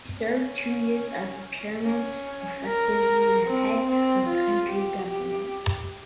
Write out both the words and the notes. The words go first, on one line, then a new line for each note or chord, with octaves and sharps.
She served two years as chairman, effectively the head of the county's government.
C#4
C#4
A#4
C4
C4
F4
G4
G4